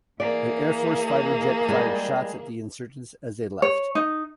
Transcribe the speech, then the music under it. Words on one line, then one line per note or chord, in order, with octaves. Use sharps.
An Air Force fighter jet fired shots at the insurgents as they left.
E3 A#3 G#4 D5
G3 G#3 D5
C#5
D#4